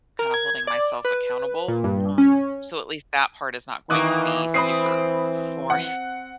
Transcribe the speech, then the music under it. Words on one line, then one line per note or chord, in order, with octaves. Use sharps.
kinda holding myself accountable, um, so at least that part is not going to be super foreign
A#4
G#6
D5
B4
A#2
G2
C#4
D#3 E3 A#3 D#4 D6 D#6 F#6
C4 B5 D#6 C7
F#5